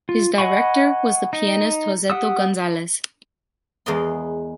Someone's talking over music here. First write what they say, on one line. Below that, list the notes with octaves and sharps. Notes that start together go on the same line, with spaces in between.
His Director was the pianist Joseito Gonzalez.
F4
D#5 F#5 G#5 B5 C#6
D#4
G4 F#5 D#6 E6
E2 G#3 B3 A#4 D#5 C6